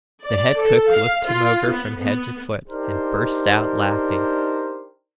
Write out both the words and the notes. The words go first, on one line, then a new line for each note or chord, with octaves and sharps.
The head cook looked him over from head to foot, and burst out laughing.
D5
A4
F5
F4
B3
B3
D4 D#4 G4 A#4 C5